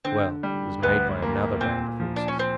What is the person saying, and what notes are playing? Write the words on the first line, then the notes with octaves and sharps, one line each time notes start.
"Well, it was made by another band of horses."
D3 C4
G3
D2 B3
A#3
A#2 C4
F3
D4
C#4
C4